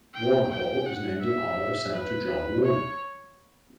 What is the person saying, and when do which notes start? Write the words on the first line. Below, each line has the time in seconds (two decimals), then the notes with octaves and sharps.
Warner Hall is named in honor of Senator John Warner.
0.14 G5
0.51 G5
0.86 F#5
1.22 E5
1.93 B4
2.64 C#5